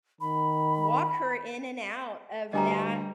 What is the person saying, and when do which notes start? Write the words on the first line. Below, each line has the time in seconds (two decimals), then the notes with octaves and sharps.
walk her in and out of that
0.21 D#3 B5
2.53 D2 G2 G3 D#5 G#5 A#5